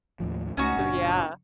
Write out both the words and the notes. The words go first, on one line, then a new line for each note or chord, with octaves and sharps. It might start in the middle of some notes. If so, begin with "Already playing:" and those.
So, yeah.
D#2 A2 F3
C#2 A3 C#4 D#4 F#4
F#1 A#2 D4